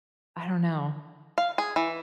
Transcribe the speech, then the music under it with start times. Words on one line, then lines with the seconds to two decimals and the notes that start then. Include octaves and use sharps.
I don't know.
1.38 F5
1.58 G#4
1.76 E3